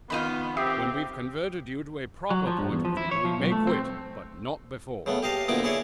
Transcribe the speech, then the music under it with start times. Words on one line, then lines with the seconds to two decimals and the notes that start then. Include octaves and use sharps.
When we've converted you to a proper point of view we may quit, but not before.
0.10 F2 D#3 B3 F4 B5 D#7
0.57 C4 G4 E5 D#6 C7
2.30 F#3
2.47 F3
2.58 G2
2.72 E2
2.85 F3
2.97 E4
3.11 C#5
3.25 F3
3.39 B1
3.52 A3
3.67 C4
5.06 C#3 A3 B3
5.23 G4 D#5 F5 A5
5.48 D2 A#2 B3 D#4 E4 D6
5.63 E4 G#4 C#5 D5 E5